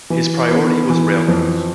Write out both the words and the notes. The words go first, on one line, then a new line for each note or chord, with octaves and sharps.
His priority was railroads.
E3
B3
E3
F2